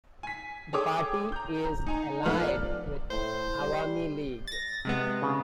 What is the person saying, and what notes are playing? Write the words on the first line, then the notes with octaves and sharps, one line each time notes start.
The party is allied with Awami League.
G#5 B6
G#4 A4 C#5 G5 D6 D#6
A#5 G6
D#4 G#5 A#5
F3 B3 A4 B4 F#5 F6
D5
A2 C5
G3
A6 A#6
C3 G#3 B3
C#3